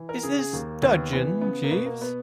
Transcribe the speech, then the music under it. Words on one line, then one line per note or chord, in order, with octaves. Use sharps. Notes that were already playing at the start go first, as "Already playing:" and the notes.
Is this dudgeon, Jeeves?
Already playing: E3
A#4
C#3 G#4
G#4
D#2 A#3
D#2 B3
E3 B3
C#3 B3
A#3
B2 B3
A#3
B3